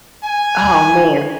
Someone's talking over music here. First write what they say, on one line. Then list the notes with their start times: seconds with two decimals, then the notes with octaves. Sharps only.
Oh, man.
0.23 G#5